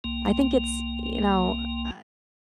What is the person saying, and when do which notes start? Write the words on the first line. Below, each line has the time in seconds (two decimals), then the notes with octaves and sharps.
I think it's you know uh
0.04 C2 A#3